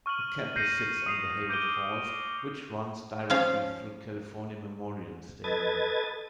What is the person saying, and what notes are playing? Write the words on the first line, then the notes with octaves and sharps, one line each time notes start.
The campus sits on the Hayward Fault, which runs directly through California Memorial Stadium.
C#6 F6 D#7 F#7
G6 A#6 C7 C#7 D#7
D#6 C7 F7
D6 G6 D7 D#7 G7
F3 C#4 F5
A4 B4 D#5 G#6 A6